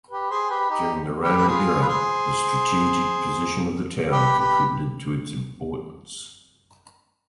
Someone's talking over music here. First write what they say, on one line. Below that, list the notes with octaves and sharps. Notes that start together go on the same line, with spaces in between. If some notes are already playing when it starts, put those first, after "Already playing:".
During the Roman era, the strategic position of the town contributed to its importance.
G4 B4
G#4 C5
G4 B4
D#4 G4
G4 B4
B4
F4 G#4
B4
G#4 C5
G4 B4
G4 B4